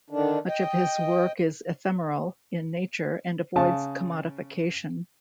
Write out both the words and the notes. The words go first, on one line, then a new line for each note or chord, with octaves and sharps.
Much of his work is ephemeral in nature and avoids commodification.
D3 D#3 D4
D#5 G5
C#3 A5